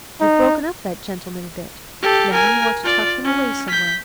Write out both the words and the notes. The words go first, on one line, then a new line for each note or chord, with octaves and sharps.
You've broken up that gentleman a bit; now you want to tuck him away somewhere.
D#4
G4 A4
A#4 G#5
F4 D5
C#4
G6 B6